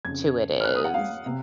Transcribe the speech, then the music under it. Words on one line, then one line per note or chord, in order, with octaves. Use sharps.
to it is
F2 C#3 G#6
F6
F#6
D#6
F#5
F5
C3